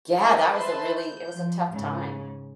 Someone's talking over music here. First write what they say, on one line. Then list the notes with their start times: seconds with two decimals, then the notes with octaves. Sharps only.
Yeah, that was a really it was a tough time.
0.19 D4 G4 C5 D#5 E5
0.52 B4 C5 E5 A5 C6
0.97 G6
1.36 F3
1.72 G#2 C#3